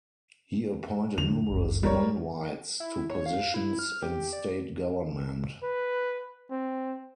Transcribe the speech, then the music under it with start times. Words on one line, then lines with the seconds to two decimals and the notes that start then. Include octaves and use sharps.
He appointed numerous non-whites to positions in state government.
1.18 E2 D3 F#3 F7
1.50 G1 C#2 F#2
1.83 G3 A#4 C#5
2.80 E4
3.11 C#5
3.26 F5
3.54 E4
3.79 F6
4.02 G4
4.33 D5
5.63 B4
6.51 C4